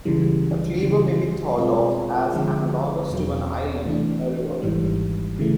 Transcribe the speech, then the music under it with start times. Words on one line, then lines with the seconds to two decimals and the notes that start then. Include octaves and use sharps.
A cleaver may be thought of as analogous to an island in a river.
0.05 C#2 C#3 E3 G3
0.82 C#2 C#3 E3 G3
1.57 B2 G#3 C4 F4 A#4
2.34 D2 D3 F3 G#3 C4
3.10 E2 B2 F#3
3.86 C3 E3 A3 D4
4.62 G#1 G#2 E3 G3
5.39 C#3 E3 A3